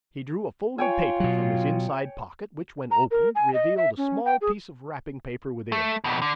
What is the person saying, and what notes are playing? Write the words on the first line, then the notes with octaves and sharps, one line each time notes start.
He drew a folded paper from his inside pocket, which, when opened, revealed a small piece of wrapping paper within.
F4 C#5 G5 G#5
B2 F#3
A#5
A#4
G#5
D#5
E5
C#4
G5
G#4
A3
F2 B2
D3